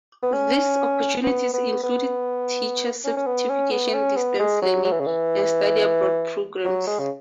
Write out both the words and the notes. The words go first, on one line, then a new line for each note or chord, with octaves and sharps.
These opportunities include teacher certification, distance learning, and study abroad programs.
B3
C#4
B3
B3
B3
C#4
C#4
B3
C#4
B3
C#4
B3
G#3
F#3
F#3
E3
C#3
E3
F#3
G#3
C#3